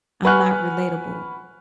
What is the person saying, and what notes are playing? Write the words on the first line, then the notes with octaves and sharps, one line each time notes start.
I'm not relatable.
B4 F#5 G#5 C#6 F6 F#6